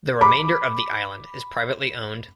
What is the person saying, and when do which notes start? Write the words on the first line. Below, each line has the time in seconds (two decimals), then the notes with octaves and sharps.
The remainder of the island is privately owned.
0.21 B5 D6